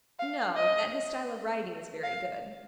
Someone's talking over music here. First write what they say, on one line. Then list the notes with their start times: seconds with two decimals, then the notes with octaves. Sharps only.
"No; that his style of writing is very good."
0.19 F5
0.56 D#5
2.03 F5